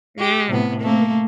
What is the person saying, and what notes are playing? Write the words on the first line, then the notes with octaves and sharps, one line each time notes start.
Mm, mm.
G4
A2 C3 B3
A3 A#3